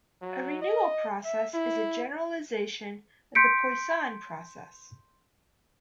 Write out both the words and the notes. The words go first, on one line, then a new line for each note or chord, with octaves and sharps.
A renewal process is a generalization of the Poisson process.
F#3
D#5
E5
E4
C6 G6 B6 C#7 D7